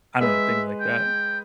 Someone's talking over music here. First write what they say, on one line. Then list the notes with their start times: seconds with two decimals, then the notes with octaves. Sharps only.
I don't know, things like that.
0.21 G#3 B4 E5
0.81 G5